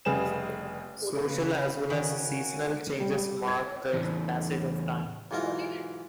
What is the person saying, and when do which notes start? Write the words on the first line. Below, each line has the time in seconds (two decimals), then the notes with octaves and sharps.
Social as well as seasonal changes mark the passage of time.
0.05 F1 C#3 G3 G#4 B4 E7
1.23 C#3 B4
1.90 D#3 F#4 G#5
3.00 G3
3.17 G3
3.48 G#6
3.94 E2 A2
5.31 B1 G#2 E3 F4 A#4